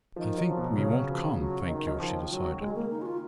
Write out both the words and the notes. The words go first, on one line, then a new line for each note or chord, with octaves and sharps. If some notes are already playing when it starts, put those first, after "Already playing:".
"I think we won't come, thank you," she decided.
D#3 F3
F#3
F3
B2
C#3 F#3
F3
F#3
F3
D#3
F#3
D#3 F3
F#3
G#3
A#3
D#4
F#4
F4